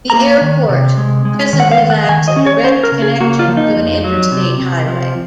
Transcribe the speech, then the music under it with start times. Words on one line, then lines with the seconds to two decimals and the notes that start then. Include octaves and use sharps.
The airport presently lacks a direct connection to an Interstate Highway.
0.10 A#3 A#5
0.41 D#3
0.69 C3
0.97 G#3
1.25 G#3
1.53 D#3
1.60 F#5
1.71 F5
1.81 D#3
1.90 F#5
2.09 D#3 G#5
2.28 D#5
2.36 C#4
2.46 C#5
2.64 C#4 C5
2.83 A#4
2.92 C#3
3.02 G#4
3.20 A#3 F#4
3.39 F4
3.48 F3
3.57 D#4
3.76 F2
4.04 F#3
4.32 C3
4.60 C3
4.88 F3